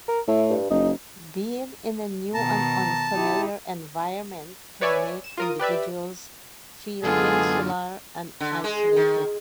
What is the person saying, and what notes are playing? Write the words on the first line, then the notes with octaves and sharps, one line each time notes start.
Being in a new and unfamiliar environment can make individuals feel insular and isolated.
A#4
A2 E4
G2
F#1 D#4
B2 D#3 A5 A#5
D#4 E4 G4
B4 C#5 D5 E5 G#5
E7
F4 A#4 D#6
G4 B4 D5 E5
F#2 D3 G#3 B3 F4 G#4 A4
D3
G#3
D#3